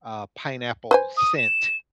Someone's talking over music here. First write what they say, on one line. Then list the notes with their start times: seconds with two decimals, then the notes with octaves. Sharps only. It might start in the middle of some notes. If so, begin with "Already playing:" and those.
uh, pineapple scent,
0.91 B4 C5 G#5
1.17 D#6
1.37 E7